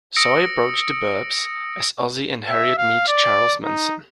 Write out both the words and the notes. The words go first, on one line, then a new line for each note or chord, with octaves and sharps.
So I approached "The 'Burbs" as "Ozzie and Harriet Meet Charles Manson".
D#6 E6 A#6 C#7 D7
E5
F5
D5
D#4